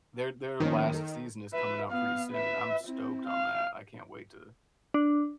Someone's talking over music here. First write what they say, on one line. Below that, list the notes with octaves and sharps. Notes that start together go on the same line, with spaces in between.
their their last season is coming out pretty soon. I'm stoked on that. I can't wait to
D#3 F3 A#3 C#4
D#4 A4
B4 E5
B3 F5
B4 E5
C4 E4
F5
D4